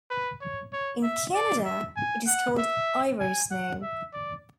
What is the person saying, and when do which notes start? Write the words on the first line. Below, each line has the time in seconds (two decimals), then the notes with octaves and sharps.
In Canada, it is called Ivory Snow.
0.10 B4
0.41 C#5
0.73 C#5
1.03 E5
1.34 D5
1.64 E5
1.96 G#5
2.27 F#5
2.58 E5
3.20 G#5
3.51 F#5
3.82 E5
4.13 D5